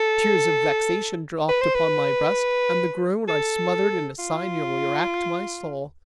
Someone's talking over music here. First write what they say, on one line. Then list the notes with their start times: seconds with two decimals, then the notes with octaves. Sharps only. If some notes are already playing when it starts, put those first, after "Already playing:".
Tears of vexation dropped upon my breast and the groan I smothered in a sigh nearly wracked my soul.
Already playing: A4
1.49 B4
1.61 C5
1.75 B4
3.28 A4
4.19 F4